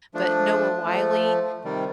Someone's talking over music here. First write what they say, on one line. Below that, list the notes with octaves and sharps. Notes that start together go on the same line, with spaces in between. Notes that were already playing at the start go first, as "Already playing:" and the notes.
but Noah Wiley
F3 A3 D4
F3 A3
C3 D#3 G3